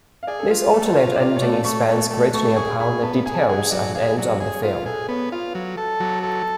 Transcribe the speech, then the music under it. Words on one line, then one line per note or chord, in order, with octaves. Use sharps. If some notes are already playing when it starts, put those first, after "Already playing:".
This alternate ending expands greatly upon the details at the end of the film.
F5
G#4 D5
A4
F4 B4
G#4
A3 A4
B4
F4 C#5
D5
F4 F5
C#5
A3 D5
A3 C#6
A3
A3
A3 C#6
G#4 C#6
G#4 B5
B3 A5
G#4 G#5
A5
G#5
G#4 F#5
F#3 D5
G#4 F5
F#3 D5
G#4 C#5
C#5
F4 B4
G#4 A4
B3 C#5
F4 F5
F#3
A4
F#3
A4